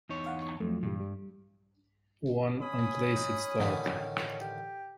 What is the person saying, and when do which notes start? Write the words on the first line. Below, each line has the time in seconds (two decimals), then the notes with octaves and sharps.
One unplaced start.
0.09 E2 D#4 C#5
0.26 F5 F#5
0.42 C#6
0.60 F2 F3 F#3 A3
0.83 G2 A#2 E3 G3
1.00 G3
2.62 C#4 G#5 B5 D#6
3.16 D#4
3.58 A1 D3 D#3
4.41 G4